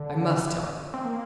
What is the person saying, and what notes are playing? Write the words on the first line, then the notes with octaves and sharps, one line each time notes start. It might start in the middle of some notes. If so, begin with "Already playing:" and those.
I must tell you.
Already playing: D3
C4
A#3